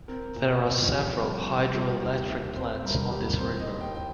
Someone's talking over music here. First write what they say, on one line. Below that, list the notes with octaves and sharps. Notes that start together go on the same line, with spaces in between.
There are several hydroelectric plants on this river.
C4 A#4
A#2
A#2
F4
F3 G4
C2
C2
G3 F4
D#2
G4
D#2
C4 C5
G2 A#4
G2 G4
C4 C5
D#5
D#2
G5
G5